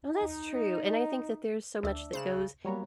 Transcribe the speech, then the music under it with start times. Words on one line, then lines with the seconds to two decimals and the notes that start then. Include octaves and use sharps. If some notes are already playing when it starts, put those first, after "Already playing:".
Well, that's true, and I think that there's so much that goes
0.13 D#4
1.83 D2 D4 D5 E5
2.13 C#3 C5 F#6 E7
2.65 F#3 G3 A#3 B3 C#5 A#5